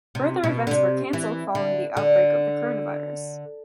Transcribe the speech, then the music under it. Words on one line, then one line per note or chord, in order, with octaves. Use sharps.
Further events were cancelled following the outbreak of the coronavirus.
C3
B2
D3
C3
E3
D3
D3